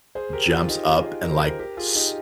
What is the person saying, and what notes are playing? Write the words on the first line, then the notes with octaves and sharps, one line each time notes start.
jumps up and, like, s
G#4 C5
G4 A#4
F4 G#4
D#4 G4
F4 G#4
A#4
C5
G4 A#4
G4 A#4
F4 G#4
D#4 G4